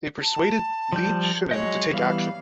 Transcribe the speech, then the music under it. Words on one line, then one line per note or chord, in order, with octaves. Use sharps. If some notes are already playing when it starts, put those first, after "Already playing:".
They persuaded Li Shimin to take action.
A5
F3 G3 G6
F#3 G#3 C#5 D#5
E3 G3 B3 F5